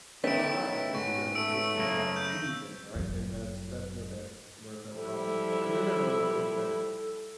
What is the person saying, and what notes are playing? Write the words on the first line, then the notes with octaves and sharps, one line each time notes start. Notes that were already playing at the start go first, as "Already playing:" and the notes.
I know not gr instant gratification, but like feedback, right? And that's that's what that where that problem start, and then there's other things that
D#3 A3 B3 C#4 E4 G5 B6 D7
G#2 C#6
A3 E6 D7
F#2 C#3 A#3
G6
G1 F#2
F3 G3 E4 A4